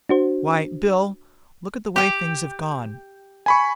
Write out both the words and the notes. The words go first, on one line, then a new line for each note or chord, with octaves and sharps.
Why, Bill, look at the way things have gone!
D4 F#4 C5
G4 G5
G#5 B5 C#6